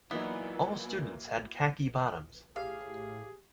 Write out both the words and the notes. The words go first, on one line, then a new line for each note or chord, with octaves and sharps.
All students had khaki bottoms.
A#2 E3 F#3 A#3 B3 D#4 E4
A2 G4 G#4 F5